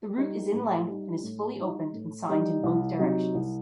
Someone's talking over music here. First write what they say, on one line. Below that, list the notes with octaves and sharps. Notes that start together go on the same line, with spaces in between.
The route is in length and is fully open and signed in both directions.
G3 D#4
A2
G3 D#4
A2
G3 D#4
A2
G3 D#4
C2
C3 F#3 C4 D#4
C2